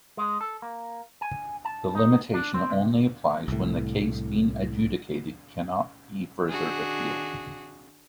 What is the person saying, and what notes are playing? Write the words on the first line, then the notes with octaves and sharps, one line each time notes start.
The limitation only applies when the case being adjudicated cannot be further appealed.
G#3
A4
A#3
G#5
A5
D#4
D4
C4
C3
C2 A2
D#3 D4 F#4 G#4